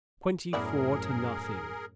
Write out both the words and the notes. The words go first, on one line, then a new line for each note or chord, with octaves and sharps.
"Twenty-four to nothing."
F#2 A2 B3 E4 G#4 A#4 D5